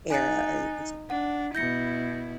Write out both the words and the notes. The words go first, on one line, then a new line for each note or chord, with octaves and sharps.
era are you considered?
D#4 G#5 F#6 A6
D4 F#5
B2 E4 G6 A#6 C#7